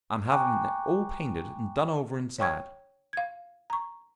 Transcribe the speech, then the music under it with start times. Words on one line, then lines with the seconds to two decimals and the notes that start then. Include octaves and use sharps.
I'm having it all painted and done over inside.
0.32 G5 G#5 A#5 C#6 D6 F#6
2.38 C#5 G5 C#6 G#6
3.13 F5 G#6
3.70 A#5 C#6